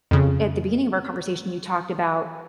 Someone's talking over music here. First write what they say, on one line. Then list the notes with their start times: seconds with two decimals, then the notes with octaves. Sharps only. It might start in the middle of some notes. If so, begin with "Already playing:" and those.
at the beginning of our conversation, you talked about,
0.11 F2 C#3